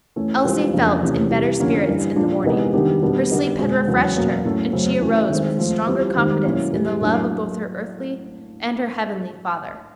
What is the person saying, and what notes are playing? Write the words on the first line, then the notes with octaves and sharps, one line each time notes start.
Elsie felt in better spirits in the morning; her sleep had refreshed her, and she arose with a stronger confidence in the love of both her earthly and her heavenly Father.
E3 A3 C#4
G#2 E3 G3 C4 F4
F2 C#3 F3 A#3 D4
E2 C3 E3 A3 C#4
C3 E3 G3
D3 F3 A#3 C#4
G2 E3 G3
A#2 F3 A#3 D4
C3 E3 G#3 B3 D#4
D#3 G3 B3 D4 G4
B2 G3 B3 D4
D3 G3 B3 D#4 G4
B2 G#3 C4
E2 C#3 F#3 B3
B2 F#3 A#3 C#4
A2 F#3 A3 C#4
F#2 C#3 F#3 A3 C4
E3 A3 C#4 F#4
D#3 G#3 C4
F3 A3 C4
E3 G3 C4 F4
G#2 D#3 G3 C4
B2 F#3 A#3 C#4 E4
A2 E3 G3
A2 F#3 A#3 D4